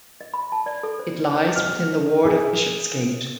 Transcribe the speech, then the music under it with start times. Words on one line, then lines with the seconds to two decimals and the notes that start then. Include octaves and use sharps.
It lies within the ward of Bishopsgate.
0.21 D#5
0.34 B5
0.52 A5
0.66 D5
0.83 A4
1.00 C5
1.56 F6
2.25 G#4